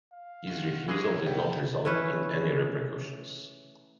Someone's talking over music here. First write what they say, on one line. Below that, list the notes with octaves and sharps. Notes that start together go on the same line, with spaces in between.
His refusal did not result in any repercussions.
F5
F4 F#4
F2 E3 G#3 C#4 G#4 C#5
C2 C5 F#5 G5
E3 A3 C#4 B4